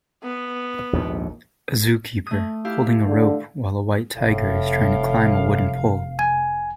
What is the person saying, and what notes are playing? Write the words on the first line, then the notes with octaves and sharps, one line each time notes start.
A zookeeper holding a rope while a white tiger is trying to climb a wooden pole.
B3
A#1 D#2 G#2
A3 D#6
E4 G4 F5
D3
F1 A2 F5
G#5